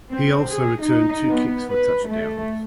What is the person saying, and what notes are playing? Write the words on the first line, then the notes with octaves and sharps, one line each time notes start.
He also returned two kicks for touchdowns.
C4
G#4
D#4
B3
B4
A3